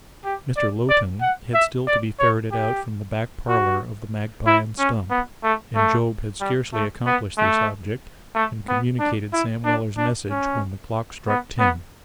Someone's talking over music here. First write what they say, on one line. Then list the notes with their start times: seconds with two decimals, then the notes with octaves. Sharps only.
Mr. Lowten had still to be ferreted out from the back parlour of the Magpie and Stump; and Job had scarcely accomplished this object, and communicated Sam Weller's message, when the clock struck ten.
0.25 G4
0.57 D5
0.89 D5
1.21 F#5
1.54 E5
1.87 D5
2.19 C#5
2.51 G4
3.49 F#4
4.46 E4
4.78 C#4
5.10 B3
5.43 A3
5.76 A3
6.40 G3
6.73 A3
7.06 B3
7.38 A3
8.35 A3
8.68 B3
8.99 D4
9.33 E4
9.65 D4
9.97 D4
10.30 C#4
11.28 B3
11.59 B3